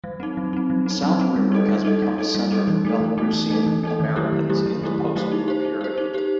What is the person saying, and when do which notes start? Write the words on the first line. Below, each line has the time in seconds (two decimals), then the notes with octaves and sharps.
South River has become a center for Belarusian Americans in the postwar-period.
0.04 F#3
0.20 C4 D#4
0.37 F#3
0.53 C4 D#4
0.70 F#3
0.86 C4 D#4
1.03 F#3
1.20 C4 D#4
1.36 G3
1.52 D#4 A4 D#5
1.68 G3
1.85 D#4 A4 D#5
2.02 G3
2.18 D#4 A4 D#5
2.35 G3
2.52 D#4 A4 D#5
2.68 E3
2.85 A3 D#4 A4
3.00 E3
3.18 A3 D#4 A4
3.33 E3
3.50 A3 D#4 A4
3.67 E3
3.83 A3 D#4 A4
4.00 D#3
4.16 F#3 A3 E4 G4
4.32 D#3
4.49 F#3 A3 E4 G4
4.66 D#3
4.82 F#3 A3 E4 G4
4.99 D#3
5.16 F#3 A3 E4 G4
5.32 D#4
5.48 G4 C5
5.65 D#4
5.81 G4 C5
5.98 D#4
6.14 G4 C5